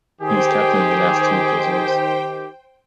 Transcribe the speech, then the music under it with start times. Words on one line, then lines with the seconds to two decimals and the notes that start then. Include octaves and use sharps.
He was captain in the last two of those years.
0.21 D#3 G4 G#4 C5 G5